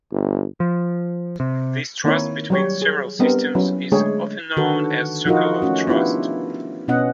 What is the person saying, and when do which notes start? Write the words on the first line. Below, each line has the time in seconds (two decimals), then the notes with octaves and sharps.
This trust between several systems is often known as "Circle of Trust".
0.12 G1
0.60 F3
1.40 C3
2.04 D#3 A#3 C4 D#4 E4 C#5
2.50 F#3 G3 C#5
2.82 G#4
3.19 G3 B3 C4 D4 A#4
3.55 F#3 C#4 E4
3.92 D3 G#3 A3 D4 G#4 C#5
4.57 D3 D#3 F#4 A4 B4
5.25 F3 D#4 F4 F#4 A#4 D#5
5.62 A3 C#4 F#4
5.87 B3 D4 E4 F4 G4
6.88 B2 B3 C#4 D#5 F#5